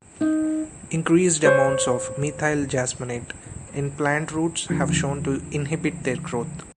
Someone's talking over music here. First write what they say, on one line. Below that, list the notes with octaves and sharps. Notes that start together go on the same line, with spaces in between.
Increased amounts of methyl jasmonate in plant roots have shown to inhibit their growth.
D#4
C5 C#5
E2 D3 F3